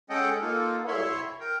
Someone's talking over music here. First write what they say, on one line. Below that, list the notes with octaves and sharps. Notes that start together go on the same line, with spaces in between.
Oh, yeah.
G#3 C#4 A4 D#5 F#5 G5
A#3 D#4 F4 A4
E4 C#5 E5 C6
A#4 G5